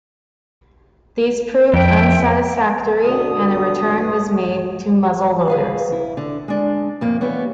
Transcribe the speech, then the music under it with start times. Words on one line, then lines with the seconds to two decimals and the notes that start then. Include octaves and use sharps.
These proved unsatisfactory and a return was made to muzzle loaders.
1.74 F2 E5 G5
3.03 B2 D3 D#6
5.48 G#4 B4 F5
5.92 E4
6.17 D3
6.48 G#3 D4
7.01 F2 A2 A#3
7.21 E3 G3 B3 C#5